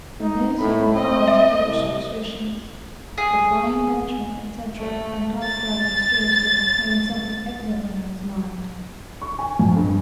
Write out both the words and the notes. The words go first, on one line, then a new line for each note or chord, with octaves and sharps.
From this he went on to other superstitions, the Flying Dutchman, etc., and talked rather mysteriously, having something evidently on his mind.
D#4
A2 B5
C4 D#5
E5
C2
G#4
A3
A6
C#6
G#5
F2
G2